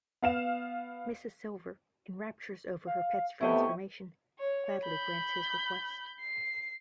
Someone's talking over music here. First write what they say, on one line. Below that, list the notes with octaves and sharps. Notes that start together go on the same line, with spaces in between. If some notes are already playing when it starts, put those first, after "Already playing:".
Mrs Silver, in raptures over her pet's transformation, gladly grants his request.
B3 F5 E7
F5
C3 A3 B3 E4 D#5 G5 C#6
C#5
B5 G6
C7